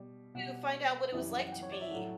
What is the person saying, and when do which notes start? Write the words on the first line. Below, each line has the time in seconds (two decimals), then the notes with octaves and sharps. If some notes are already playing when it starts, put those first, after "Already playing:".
to find out what it was like to be
Already playing: B2 G3
0.34 B2 G3 F#5
1.12 F#2 E3 G3
1.46 F#5
1.52 G5
1.62 C#5
1.72 D5
1.81 E5
1.91 A2 F#3 A3 F#5